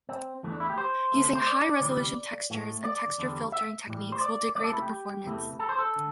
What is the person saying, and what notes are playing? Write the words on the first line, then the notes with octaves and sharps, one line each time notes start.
Using high resolution textures and texture filtering techniques will degrade the performance.
C4
E2 E3 A3
D4
E4
G4
C5
D2 C3 A3
C5
D5
D2 C3 E3 G3
A2 A3
D5
E2 D3 G3
E5
A2 E3 G3
C5
D5
C2 C3 A3 D5
A4
E4
G4
E2 C3 E3 A3
A4
C5
A4
D3